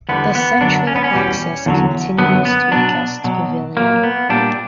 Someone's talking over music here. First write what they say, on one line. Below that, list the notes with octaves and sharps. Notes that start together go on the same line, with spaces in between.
The central axis continues to a guest pavilion.
E2 D3 G3 B3
B3
F#2 D3 F#3 D4
C#4
B3
C#4
E2 B2 G3
E2 D3 F#3
F#2 D3 F#3 B3
B3
B2 F#3 D4
B2 F#3
A#2 F#3 A#3
B3
A#2 G3 D4